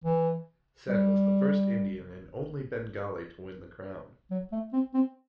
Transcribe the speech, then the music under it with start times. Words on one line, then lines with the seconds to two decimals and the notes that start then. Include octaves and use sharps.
Sen was the first Indian and only Bengali to win the crown.
0.04 E3
0.89 G3
4.31 F#3
4.52 A3
4.73 C4
4.94 C4